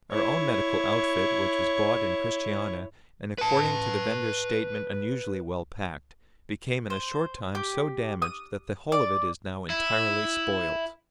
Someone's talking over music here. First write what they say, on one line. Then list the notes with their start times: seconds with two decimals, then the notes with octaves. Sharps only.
Our own medical outfit, which was bought in Christiania, and according to the vendor's statement unusually well packed, became in a short time so damaged that the whole of it is now entirely spoilt.
0.11 E4 C#5
3.38 B4 A5
6.90 C5
7.55 G4
8.22 D#6
8.92 D5
9.70 E4